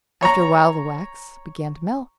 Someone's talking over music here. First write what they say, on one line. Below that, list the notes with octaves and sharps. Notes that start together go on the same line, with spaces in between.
After a while the wax began to melt.
C#5 A#5